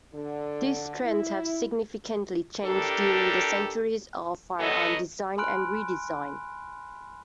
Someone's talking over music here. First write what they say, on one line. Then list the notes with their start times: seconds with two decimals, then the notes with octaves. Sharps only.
These trends have significantly changed during the centuries of firearm design and re-design.
0.13 D3
1.01 E4
2.64 A2 D4 G4 A4 A#4
4.60 F#2 F#3 B3 A4 D#5
5.38 G#5 B5 C6 F6 F#6 D7